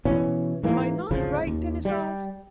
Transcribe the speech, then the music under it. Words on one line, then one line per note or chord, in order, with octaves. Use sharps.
Am I not right, Denisov?
B2 E3 C#4
G#2 E3 A#3
G#1 D2 C#3 F3
D#2
G3